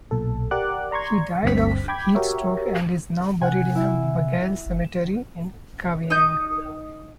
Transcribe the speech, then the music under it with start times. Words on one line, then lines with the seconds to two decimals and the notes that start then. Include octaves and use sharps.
He died of heat-stroke and is now buried in Bagail Cemetery in Kavieng.
0.11 B1 A#2 A4
0.51 G4 A#4 D5 F#5 D6 F#6
0.91 D5 A#5 C6 C#6 G#6
1.43 G1 D2 G2 C4 B6
1.88 G5 B5 D6 G#6
2.15 F#4 G4 A#4 C#5 E5
3.42 C3 F#5 G#5
3.75 E4
4.66 F#1
6.10 D#4 D#6 G6